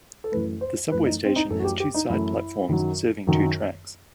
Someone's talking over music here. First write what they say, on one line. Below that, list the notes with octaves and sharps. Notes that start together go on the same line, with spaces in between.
The subway station has two side platforms serving two tracks.
A4
F#2 E3 A3 B4
C5
F#2 E3 A3 B4
D#4
C4
D#4
F#2 E3 A3 A4
F#4
G4
G4
D#4
F#2 E3 A3 E4
F#2 D#3 F#3
F#2 D#3 F#3